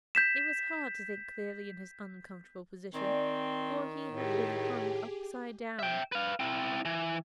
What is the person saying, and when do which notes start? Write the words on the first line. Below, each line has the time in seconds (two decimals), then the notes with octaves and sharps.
It was hard to think clearly in his uncomfortable position, for he had been hung upside down.
0.15 G6 B6 E7
2.94 D#3 C4 D5 G#5
4.12 A2 G4 G#4
5.79 E5 G5
6.12 B4 F5
6.40 C4 E4
6.85 E3